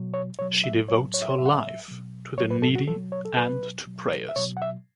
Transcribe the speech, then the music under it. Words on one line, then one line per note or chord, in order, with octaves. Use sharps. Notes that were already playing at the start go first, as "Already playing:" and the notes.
She devotes her life to the needy and to prayers.
Already playing: B2 F#3
C#5
B2 F#3 C#5
E5
A2 F#3 C#5
C#5
E5
C#5
A2 F#3 E5
F#5
E5
B2 F#3
A2 F#3 C#5
B4
A4
F#4
B2 F#3 A4
C#5
A4
B2 F#3 B4
B2 F#3
E5
B2 F#3 C#5
F#5
E5